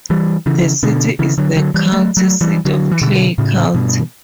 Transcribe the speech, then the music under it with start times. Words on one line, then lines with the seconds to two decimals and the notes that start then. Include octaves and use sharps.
The city is the county seat of Clay County.
0.10 E3 G3
0.46 C#3 E3
0.83 B2 D3
1.19 C#3 E3
1.38 D3 F#3
1.56 D3 F#3
1.74 E3 G3
1.92 F#3 A3
2.17 F#3 A3
2.41 E3 G3
2.65 D3 F#3
2.92 E3
3.02 B2 D3
3.38 A2 C#3
3.75 G2 B2